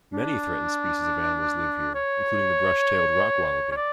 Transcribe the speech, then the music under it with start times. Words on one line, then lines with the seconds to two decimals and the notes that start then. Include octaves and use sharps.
Many threatened species of animals live here, including the brush-tailed rock-wallaby.
0.13 D4
1.94 C#5
3.71 C#5
3.76 D5